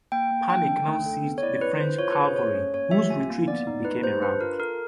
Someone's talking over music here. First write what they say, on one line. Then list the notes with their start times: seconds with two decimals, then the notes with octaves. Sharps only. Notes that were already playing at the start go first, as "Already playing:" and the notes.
Panic now seized the French cavalry, whose retreat became a rout.
0.12 A#3 G5
0.31 A#3
0.49 D4 G5
0.68 D4
0.88 A3
1.06 A4
1.24 B3
1.38 C#5
1.42 E4 D5
1.61 C4 B4
1.72 B4
1.80 E4 C5
1.99 F4 C#5
2.12 B4
2.18 G#4
2.25 C5
2.36 A4 C#5
2.54 C#4
2.74 A#3 C#5
2.91 G4 E5
3.10 F4 G#5
3.29 A#3
3.48 B3 D5
3.67 D#4
3.85 D#4 B4
4.03 G4 C5
4.22 D4 B4
4.41 F4 A#4
4.60 A4 A#4